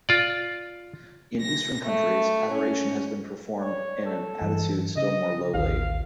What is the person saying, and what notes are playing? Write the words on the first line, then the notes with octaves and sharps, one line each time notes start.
In Eastern countries, adoration has been performed in an attitude still more lowly.
F4 D5
A#6
A3
C#4
C#5 D5
A4
G2 E3
C#3 D#5
A1 D#2 D#3 F5